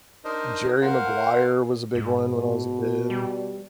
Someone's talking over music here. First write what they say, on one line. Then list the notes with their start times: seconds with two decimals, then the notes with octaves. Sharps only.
Jerry Maguire was a big one when I was a kid.
0.25 D4 D#4 A#4 C5 D#5
0.81 A#4 C5 F5 F#5
1.95 G#2
2.24 B2
3.10 G3